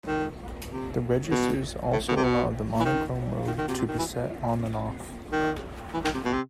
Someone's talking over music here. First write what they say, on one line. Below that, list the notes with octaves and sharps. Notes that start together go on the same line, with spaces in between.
The registers also allow the monochrome mode to be set on and off.
D#3
C3
B2
A2
B2
C3
B2
E3
D#3
D#3
D#3
C3
C3
D#3
E3
D#3
E3
D#3
C3
B2
C3